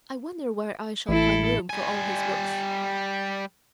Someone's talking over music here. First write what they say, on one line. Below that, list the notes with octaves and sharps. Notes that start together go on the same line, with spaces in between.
"I wonder where I shall find room for all his books."
A1 E4 A4
G3 G#5